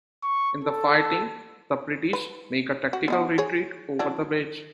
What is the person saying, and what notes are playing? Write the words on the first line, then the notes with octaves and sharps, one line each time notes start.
In the fighting, the British make a tactical retreat over the bridge.
C#6
A4
B4
F#4
B3 D#4 F#4
G#4 C#5
E3 F#3 D4